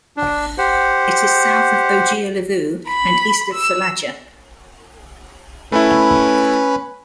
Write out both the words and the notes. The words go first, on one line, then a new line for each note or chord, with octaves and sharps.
It is south of Ogea Levu and east of Fulaga.
D4
G4 C5 F#5
B5
E6
A3 C#4 E4 B4 B5